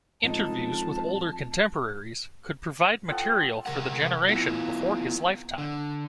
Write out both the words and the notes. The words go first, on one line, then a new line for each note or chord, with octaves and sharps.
Interviews with older contemporaries could provide material for the generation before his lifetime.
F2 A2 G#3 D#4 A5
F3 A4 F#5 G5
C3 A#4 F#5
B3 E4 F4
D3